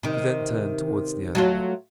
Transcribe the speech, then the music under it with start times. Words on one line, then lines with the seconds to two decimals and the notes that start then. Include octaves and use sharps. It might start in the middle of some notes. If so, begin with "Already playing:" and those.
She then turned towards the avenue.
0.03 C3 D#3
1.35 F#3 A3 F4